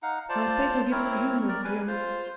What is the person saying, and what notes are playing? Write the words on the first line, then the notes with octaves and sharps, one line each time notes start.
"My fatal gift of humour, dearest."
D#4 F5 F#5
F4 C5 D5 A5
C4 E4 A#4 C#5
A#4 D5
G3 B4 G#5
F4 C5